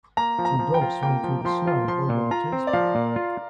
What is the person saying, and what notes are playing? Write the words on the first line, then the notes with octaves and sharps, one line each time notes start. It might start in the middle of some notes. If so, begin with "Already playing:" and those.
Two dogs run through the snow, one with a tennis ball.
A#3 A#5
F3
A#5
F3
G5
F4
A#3 G5
F3
F3 C6
F4
F3 C6
A#2
F4 A#5
C4
D5
F3 F5
A#2
F4